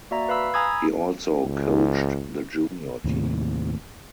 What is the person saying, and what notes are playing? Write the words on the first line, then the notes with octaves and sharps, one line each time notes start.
He also coached the junior team.
A#3 F#4 D5 E5 A#5
B4 F5 B5 E6
G#5 A#5 B5 D#6 E6 G#6
C#2
D#2 A2 C3